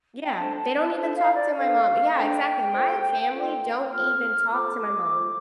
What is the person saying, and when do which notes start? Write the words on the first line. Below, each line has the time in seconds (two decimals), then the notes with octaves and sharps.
Yeah, they don't even talk to my mom, yeah, exactly, my family don't even talk to my mom.
0.24 G5
0.36 D4 A4 C5 A5
0.55 A5
0.75 A5
0.95 D4 A4 C5 A5
1.14 F5
1.34 D5
1.54 D4 A4 C5 F5
2.13 D4 A4 C5 G5
2.73 F4 A4 C5
3.32 F4 A4 C5
3.91 F4 A4 C5 F6
4.50 F4 A4 C5 D6
5.09 F4 A4 C5